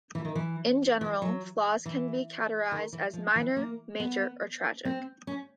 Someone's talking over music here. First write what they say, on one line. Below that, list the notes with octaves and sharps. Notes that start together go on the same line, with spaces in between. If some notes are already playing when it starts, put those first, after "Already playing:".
In general, flaws can be categorized as "minor", "major", or "tragic".
E3
D#3
E3
E3
F#3
E3
D#3
E3
F3
E3
A#3
B3
C4
C#4